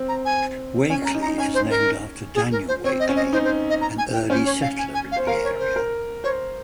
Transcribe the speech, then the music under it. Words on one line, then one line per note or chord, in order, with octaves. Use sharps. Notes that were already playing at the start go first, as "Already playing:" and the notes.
Wakeley is named after Daniel Wakeley, an early settler in the area.
Already playing: C4
A#5
G#5
C#4 G#5
C#4 A#5
D#4
A#5
D#4
C#4 G#5
C5
A#4
G#4
A#4
C5
C4 C#5
D#5
C#4
D#5
D#4 C5
C5
D#5
A#5
G#5
G5
C#4 C5
C#5
F5
G#5
G#5
F5
C5
A#4 F5
C#5
C5
A#4
C5 C#5